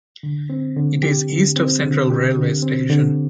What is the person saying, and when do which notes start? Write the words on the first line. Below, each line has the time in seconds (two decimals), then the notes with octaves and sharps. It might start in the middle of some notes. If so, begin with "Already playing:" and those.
It is east of Central railway station.
0.23 D3
0.50 C4
0.77 D3
1.03 G4
1.30 D3
1.56 C4
1.84 D3
2.10 G4
2.37 D3
2.63 C4
2.90 D3